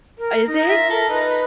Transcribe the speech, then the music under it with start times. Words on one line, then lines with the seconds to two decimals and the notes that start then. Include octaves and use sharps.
Is it?
0.19 A#4
0.47 D#4 A#5
0.69 F4 E5
0.90 A4 A#4
1.09 D#4 B4
1.31 B5